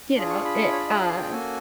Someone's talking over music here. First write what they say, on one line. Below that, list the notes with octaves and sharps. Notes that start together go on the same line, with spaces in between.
you know, it uh,
D4 F4 G#4
C#6
B5
C#5
D5
D#5
E5
F5
G5
A#3 C#4 F#4 A4 G#5